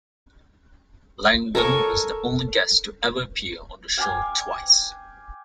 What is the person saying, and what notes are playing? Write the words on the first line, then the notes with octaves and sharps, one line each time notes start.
Langdon was the only guest to ever appear on the show twice.
A4 A#4 C#5 G#5
F5 G5 G#5 D6